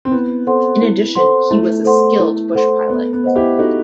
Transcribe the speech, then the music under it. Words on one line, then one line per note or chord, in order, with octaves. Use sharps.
In addition, he was a skilled bush pilot.
C4
B3 E4
A4 C5 F#5 C6
E4
A4 C5 F#5 C6
A3 E4
A4 C5 F#5 C6
E4
A4 C5 F#5 C6
B3 A4
B3
C5 D#5 F#5
E4 G4
D#4 F#4 A4